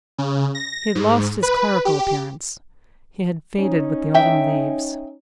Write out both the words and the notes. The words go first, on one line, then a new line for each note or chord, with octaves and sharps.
He had lost his clerical appearance--he had faded with the autumn leaves.
C#3
A#6
G#2
B4
G4
C#4 D#4
E5 G5